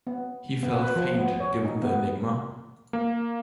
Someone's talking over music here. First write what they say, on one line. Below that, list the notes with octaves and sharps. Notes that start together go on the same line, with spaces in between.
He felt faint given the enigma.
B3
B3
B4
F3
B3
C#5
D#4
B3
A#3